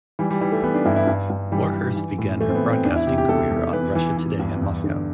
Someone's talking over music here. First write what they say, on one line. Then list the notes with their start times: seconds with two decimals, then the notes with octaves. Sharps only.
Warhurst began her broadcasting career on Russia Today in Moscow.
0.19 E3 G3
0.30 G3
0.41 E3 G3
0.52 A3
0.63 E3 B3
0.74 D4
0.85 G2 E4
0.96 E4
1.08 G2
1.30 G2
1.52 E3 G3
1.74 E3
1.96 E3
2.19 A2
2.40 E3 A3
2.49 C4
2.55 B3
2.63 E3
2.70 C4
2.84 E2 D4
2.96 E4
3.07 C3 G4
3.18 G4
3.29 E2 A4
3.51 E2
3.73 E3 B4
3.95 E3
4.17 E3
4.39 G2
4.62 E2
4.84 D3